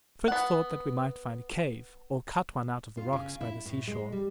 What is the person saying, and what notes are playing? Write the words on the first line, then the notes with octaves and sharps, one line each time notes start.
Fritz thought that we might find a cave, or cut one out of the rocks by the sea shore.
B3 F#5
F4
C#3
E4
A2
G#3
G3